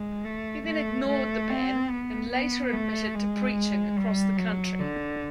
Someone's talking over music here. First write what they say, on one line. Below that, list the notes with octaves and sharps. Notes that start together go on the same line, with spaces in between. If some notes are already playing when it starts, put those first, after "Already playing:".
He then ignored the ban, and later admitted to preaching across the country.
Already playing: G#3
A3
A3
A3
C4
B3
B3
A3
G#3
G3
F#3
D3